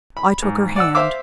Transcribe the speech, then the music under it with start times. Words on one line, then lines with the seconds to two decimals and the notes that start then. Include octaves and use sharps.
I took her hand.
0.17 B5
0.43 G#2
0.76 D5 F#5 E6
0.95 C5 E5 F5 C6 D6 E6